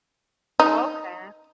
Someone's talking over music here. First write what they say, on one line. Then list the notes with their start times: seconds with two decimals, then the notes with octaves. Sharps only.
Oh, okay.
0.60 D#4